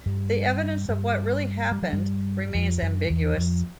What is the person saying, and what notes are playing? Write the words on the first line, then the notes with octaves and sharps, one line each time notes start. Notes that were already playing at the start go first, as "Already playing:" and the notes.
The evidence of what really happened remains ambiguous.
G2 G3
G2 G3
G3
F#3
G2 G3
F2 F3
F#2 F#3
E2 E3
F2 F3